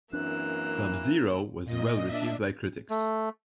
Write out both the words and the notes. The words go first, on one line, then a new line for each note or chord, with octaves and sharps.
"SubZero" was well received by critics.
F#2 E3 A#3 C4 D4 E6 F#6
A#2 D#5
D4 E5
A3